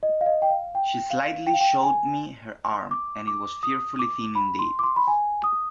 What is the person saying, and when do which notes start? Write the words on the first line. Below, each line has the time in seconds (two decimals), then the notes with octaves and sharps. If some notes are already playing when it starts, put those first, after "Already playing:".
She slightly showed me her arm, and it was fearfully thin indeed.
0.03 D#5
0.21 F5
0.26 D#5
0.42 G5
0.50 F5
0.75 G5
1.10 F5
1.47 G5
1.54 F5
1.61 G5
1.83 G#5
2.91 D6
3.27 D6
3.63 D#6
3.99 D6
4.35 B5
4.59 C6
4.79 D6
4.83 C6
4.96 B5
5.08 G#5
5.44 D#6